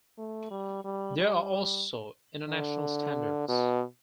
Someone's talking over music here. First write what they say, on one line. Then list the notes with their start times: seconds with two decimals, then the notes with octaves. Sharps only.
There are also international standards.
0.18 A3
0.51 G3
0.84 G3
1.17 G3
2.49 D3
3.48 B2